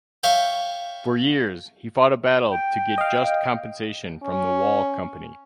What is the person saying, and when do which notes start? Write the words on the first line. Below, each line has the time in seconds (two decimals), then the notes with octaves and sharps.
For years, he fought a battle to get just compensation from the Wahl Company.
0.23 C#5 E5 F5 G5
2.50 G5
2.98 D#5 F5
4.23 C#4